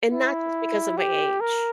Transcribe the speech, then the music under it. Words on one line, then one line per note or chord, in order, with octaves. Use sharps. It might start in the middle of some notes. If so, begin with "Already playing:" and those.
and not just because of my age.
E4
G4
A#4